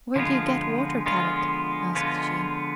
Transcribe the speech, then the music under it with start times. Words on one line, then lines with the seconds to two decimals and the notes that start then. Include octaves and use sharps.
"Where do you get water, Kadok?" asked Jean.
0.16 D3 F3 G#3 B3 F4
1.06 D3 F3 G#3 B3 F4
1.95 D3 F3 G#3 B3 F4